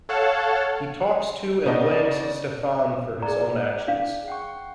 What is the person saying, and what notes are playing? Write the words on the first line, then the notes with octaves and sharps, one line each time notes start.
He talks to and blames Steffen for his own actions.
A4 C#5 F5 F#5 A5
C#3 B3 D4 D#4 D5
G#4 D5 A#5
D4 F5
F#5 G5 C#6